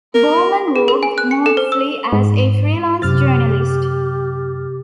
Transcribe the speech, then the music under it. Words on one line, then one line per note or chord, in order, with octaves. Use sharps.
Bowman worked mostly as a freelance journalist.
A#4
G#4
A#4
G#5
F#6
C#7
A4
C5
E6
G#2
F#2 C3 G4 F6 A6